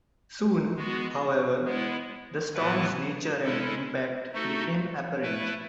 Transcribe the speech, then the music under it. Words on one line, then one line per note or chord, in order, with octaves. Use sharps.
Soon, however, the storm's nature and impact became apparent.
G#3 B3 F#4
G#3 B3 E4
A2 E3 B3 E4 B4
G#3 C#4 E4 A4
A3 D#4 F#4 A4
A3 E4 B4